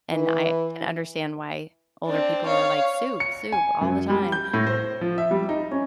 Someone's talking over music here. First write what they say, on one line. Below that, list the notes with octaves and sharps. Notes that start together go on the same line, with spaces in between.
and I can understand why older people are like, "Soup, soup all the time,"
E3
C4 D4
C#5 F5
C#7
G#5
F#2
G3
G6
A2
C5
F3
E5
G3
D#4
C#4